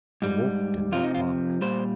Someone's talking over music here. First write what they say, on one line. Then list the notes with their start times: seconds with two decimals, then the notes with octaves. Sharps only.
The wolf did not bark.
0.22 G#2 G3
0.92 F2 C3 F3 F4
1.03 D#4
1.15 F4
1.61 A#2 G3 C5